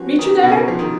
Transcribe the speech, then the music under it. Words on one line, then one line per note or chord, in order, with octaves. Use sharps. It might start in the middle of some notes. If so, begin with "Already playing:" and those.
Meet you there?
Already playing: F3 C#4 F#4 B4
D#3
B2
C#3
F3
D#3